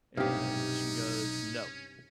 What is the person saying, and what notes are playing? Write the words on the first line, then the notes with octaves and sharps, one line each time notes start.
And she goes, "No,"
B1 G2 C3 C#4 D#4 G4 F5